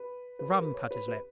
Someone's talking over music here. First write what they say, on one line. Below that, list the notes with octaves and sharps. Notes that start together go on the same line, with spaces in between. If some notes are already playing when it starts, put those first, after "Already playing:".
Rum cut his lip.
Already playing: B4
B4
A#4
B4
C#5
B4
B4